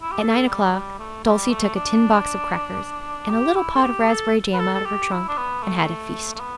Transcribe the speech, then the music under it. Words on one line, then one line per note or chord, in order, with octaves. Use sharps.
At nine o'clock Dulcie took a tin box of crackers and a little pot of raspberry jam out of her trunk, and had a feast.
E4
G4
A4
G3
G3
A3
G3
A3
D4
G4
E4
A4
G4
A4
B4
A4
A4
G4
E4
D4
B3
A3
A3
B3